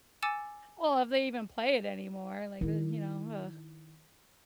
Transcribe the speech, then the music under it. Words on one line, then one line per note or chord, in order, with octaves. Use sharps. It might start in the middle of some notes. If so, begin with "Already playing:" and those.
well, if they even play it anymore, like, th you know, ugh.
G#5 D6 E6 A6 C#7 E7
D#3 E4